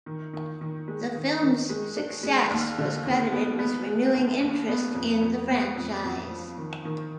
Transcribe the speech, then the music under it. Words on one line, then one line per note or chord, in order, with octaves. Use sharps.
The film's success was credited with renewing interest in the franchise.
D#3
D#3
D#3
G#3
D#3
D#3
G#3
D4
G#3
D#2
D3
D#2
B3
B3
G#3
D#2
D#2
B3
F2
F2
B3
F2
F2
F3
D#3
D#3